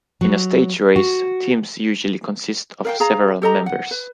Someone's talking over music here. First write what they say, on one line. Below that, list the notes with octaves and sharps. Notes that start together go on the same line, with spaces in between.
In a stage race, teams usually consist of several members.
F#3
F#4
A#4 F5 G5
G#4 F5 A#5
G4 A4 D#5 A#5
F#5
B4